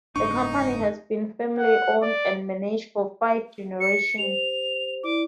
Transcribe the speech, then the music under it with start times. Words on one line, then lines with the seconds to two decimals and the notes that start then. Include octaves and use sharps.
The company has been family-owned and managed for five generations.
0.16 F#1 G#2 D4 D#4 C#6
1.58 F#5
2.02 D5
3.80 C#7
4.18 G4 C5 F7
5.04 E4 D5 D6